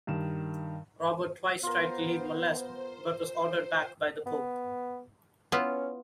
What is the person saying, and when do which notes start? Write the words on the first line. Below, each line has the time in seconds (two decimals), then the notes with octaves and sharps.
Robert twice tried to leave Molesme but was ordered back by the Pope.
0.07 G2 D#3 E7
1.63 B3 F4 A#4 C5
4.26 B3
5.52 B3 C#4 E4 F4